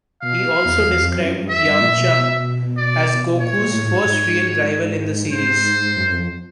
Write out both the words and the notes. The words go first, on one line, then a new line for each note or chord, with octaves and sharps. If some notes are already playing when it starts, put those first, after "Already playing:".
He also described Yamcha as Goku's first real rival in the series.
B2 F5
E2
E2
F2
F#2
G2
F2 E5
G2
A#2
B2
D5
A#2 C#5
A#2
A2
G#2
G#2
G#2 C5
F#2
F2